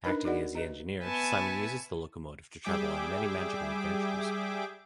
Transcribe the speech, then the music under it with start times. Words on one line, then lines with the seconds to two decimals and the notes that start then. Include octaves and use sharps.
Acting as the engineer Simon uses the locomotive to travel on many magical adventures.
0.04 D4 D#4 A#4 B4 D#5 B5
0.25 D#4 F#4 A#4 D5 D#5 F#5
0.55 B4 D#5 A#5
1.02 B3 B4 E5 G#5 A5 C#6
2.65 G3 G#4 E5 G5 D6